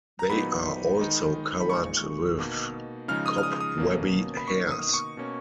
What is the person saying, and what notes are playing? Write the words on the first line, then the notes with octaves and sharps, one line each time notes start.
They are also covered with cobwebby hairs.
A#5
A#2 F#3 B3 D#4 B5
D#3 G#3 D#4
B5
A#2 G#3 D#4 C#6
B2 A#3 D#4
C#3 F3 G#3 D#4 F6
D#6
F6
D#6
D#6
B2 A#3 C#4
B5
B2 A#3 D#4 C#6
D#6
D#6
C#6
B2 A#3 C#4